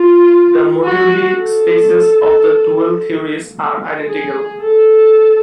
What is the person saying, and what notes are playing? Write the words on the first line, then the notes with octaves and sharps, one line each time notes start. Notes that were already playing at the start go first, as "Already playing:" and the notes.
The moduli spaces of the dual theories are identical.
Already playing: F4
F#4
A4
G#4
A4